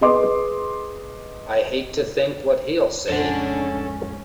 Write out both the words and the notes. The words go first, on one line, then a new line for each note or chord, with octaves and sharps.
I hate to think what he'll say!
G#4 B4 D#5 C6 D6
A1 F2 G#3 C#4 D4 A4 F#5